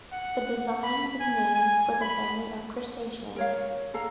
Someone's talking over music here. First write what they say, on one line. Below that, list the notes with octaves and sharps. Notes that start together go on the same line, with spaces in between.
The design is named for the family of crustaceans.
F#5
B5
G#5
G#5
B5
A#4 C#5 F5
A4 F5 A#5